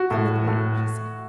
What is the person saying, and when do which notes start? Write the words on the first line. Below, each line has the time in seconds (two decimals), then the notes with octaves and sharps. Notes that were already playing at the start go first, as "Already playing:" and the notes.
'Come with me,' she said.
Already playing: F#4
0.11 A2
0.48 A2